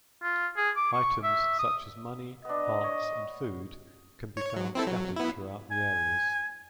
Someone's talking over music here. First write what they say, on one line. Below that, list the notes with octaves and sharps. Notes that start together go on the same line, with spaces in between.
Items such as money, hearts, and food can be found scattered throughout the areas.
F4
G#4
D6
C#6
E5
D#6
B3 D4 D#5
C#5
C#5
F#3
C4 E4 A4
F#3
B3 E4
G#5